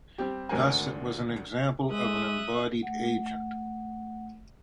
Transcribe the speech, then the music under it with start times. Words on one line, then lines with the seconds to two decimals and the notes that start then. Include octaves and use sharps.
Thus it was an example of an embodied agent.
0.18 G3 C4 G4
0.49 G#1 D2 D4 A#4 C5 G#5
1.91 G#3 E5 D#6 F#6
2.83 A3 F#5